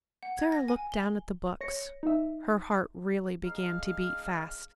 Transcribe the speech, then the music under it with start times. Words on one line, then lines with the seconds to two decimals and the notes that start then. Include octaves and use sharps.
Sara looked down at the books; her heart really began to beat fast.
0.23 F#5
0.38 G#6
0.52 A#6
0.68 G#5
0.92 G7
1.61 C#5 A#6 C#7
2.03 D#4 E5
3.44 G#3 D4 F5 A#5 F6